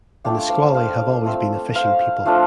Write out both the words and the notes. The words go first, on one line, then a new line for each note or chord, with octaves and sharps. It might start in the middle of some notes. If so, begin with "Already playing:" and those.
The Nisqually have always been a fishing people.
A3 D4 F4 D5 G5
C5 F5
C5 F5
A3 C4 F4
C5 F5
F3 A3 D4 F4